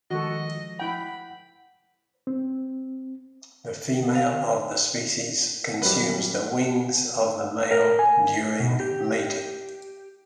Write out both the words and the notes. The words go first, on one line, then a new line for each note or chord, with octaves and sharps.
The female of the species consumes the wings of the male during mating.
D#3 F3 G#3 F#4 A4 D#5
E4 F#5 G5 B5
C4
F5
F#2 G3 B4
A#4
G#5
B2
G4